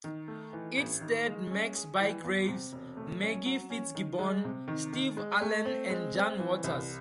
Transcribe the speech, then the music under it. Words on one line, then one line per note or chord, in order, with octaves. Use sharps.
It starred Max Bygraves, Maggie Fitzgibbon, Steve Arlen and Jan Waters.
D#3
A3
E3
A1
D#3
G#3
C#4
G#4
E3
E2
C3
E1
A3
C#4
F#3
C#4
D#3
G#3
C3
D#3
D#3
G#3
A3
C4
G#3
C4
E3
C2